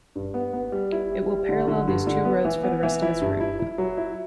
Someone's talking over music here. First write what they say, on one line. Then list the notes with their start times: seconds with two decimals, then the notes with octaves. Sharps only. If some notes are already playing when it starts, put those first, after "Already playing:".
It will parallel these two roads for the rest of its route.
0.15 G2
0.34 B3
0.53 B3
0.72 G3
0.92 E4
1.11 G3
1.30 G3
1.49 D3
1.68 D3
1.87 G2
2.07 D3
2.25 B3
2.45 E3
2.63 B3
2.83 E3
3.02 E4
3.21 G2
3.40 E4
3.59 E4
3.78 F#3
3.97 E4